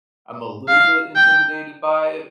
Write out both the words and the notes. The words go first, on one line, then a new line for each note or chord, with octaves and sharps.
I'm a little bit intimidated by it,
F5
G5